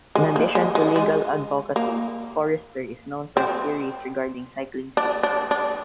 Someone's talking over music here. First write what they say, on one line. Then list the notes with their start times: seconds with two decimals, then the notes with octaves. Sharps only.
In addition to legal advocacy, Forester is known for his theories regarding cycling safety.
0.15 G#3
0.36 A#3
0.55 G#3
0.75 G#3
0.96 G#3
1.76 A#3
3.37 C4
4.97 D4
5.23 D4
5.51 D4